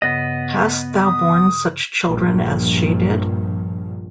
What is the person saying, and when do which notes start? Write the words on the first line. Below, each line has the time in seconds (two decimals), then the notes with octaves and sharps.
Hast thou borne such children as she did?
0.02 G2 C#3 B3 D#5
1.04 D#6
2.07 A#1 G2 F3